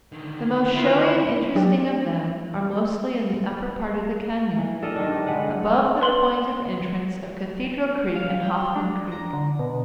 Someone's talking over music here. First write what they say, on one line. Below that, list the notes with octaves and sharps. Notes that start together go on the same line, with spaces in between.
The most showy and interesting of them are mostly in the upper part of the canyon, above the point of entrance of Cathedral Creek and Hoffman Creek.
D3 D#3
E4 F4 B4
F#3 D4 G4 D5
E3
D4 A4 A#4 D#5
G2 D#3 D4
D3 G#3 B4 F#5
B4 C6 F#7 G7
F5
G5
D4
A#5
D3
B2